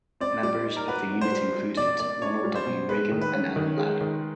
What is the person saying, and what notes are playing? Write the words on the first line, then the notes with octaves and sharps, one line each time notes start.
Members of the unit included Ronald W. Reagan and Alan Ladd.
C4 D5
G3 D5
D#4
A#4
F#4 B4
C4
C5
G3
G3
B2 D5
A#3 D5
D4 C#5
G3
C5
B2
G#3 B4
D#3
B4
C#4
D#3
G#3
D#3